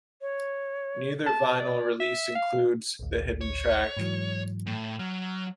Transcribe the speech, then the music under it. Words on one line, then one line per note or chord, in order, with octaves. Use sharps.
Neither vinyl release includes the hidden track.
C#5
A5
D5
E5
F5
A1 D2
C#5
G#2 E3 F#3
A2
F#3 F6